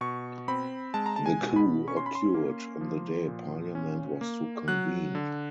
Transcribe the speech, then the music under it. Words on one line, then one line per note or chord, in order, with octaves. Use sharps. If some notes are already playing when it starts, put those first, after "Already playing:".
The coup occurred on the day parliament was to convene.
B2 C#6
C4 B5
G#3 A5
A#5
A5
G#5
B2
B5
C#4 C#6
C6
B5
C6
A#3
F3
A#2
C#4
A#3
F#3 F#6
D3